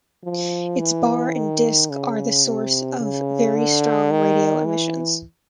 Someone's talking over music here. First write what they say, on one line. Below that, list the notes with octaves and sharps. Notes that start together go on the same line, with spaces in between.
Its bar and disc are the source of very strong radio emissions.
F3
E3
D#3
C#3
C3
C#3
D3
D#3
E3